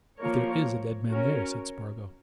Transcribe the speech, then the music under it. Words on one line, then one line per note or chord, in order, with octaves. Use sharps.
"If there is a dead man there," said Spargo.
F3 A#3 F4 A#4 C#5
C#4 F#4 A#4 C#5